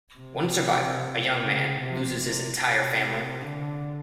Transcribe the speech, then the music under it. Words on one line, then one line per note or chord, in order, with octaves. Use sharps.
One survivor, a young man, loses his entire family.
C3
C#3
C3
C3
C3
D3